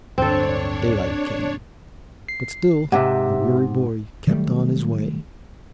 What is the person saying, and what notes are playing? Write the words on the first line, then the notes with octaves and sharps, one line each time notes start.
Daylight came, but still the weary boy kept on his way.
D1 G2 D3 C4 D4 A4 C#5
C7
G#2 C3 G4 E5 F#5
D#3 F#3 G3 A3